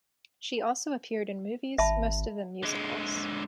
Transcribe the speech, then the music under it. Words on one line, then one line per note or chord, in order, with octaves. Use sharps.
She also appeared in movies, most of them musicals.
G#1 E5 A5 B5
D3 G#3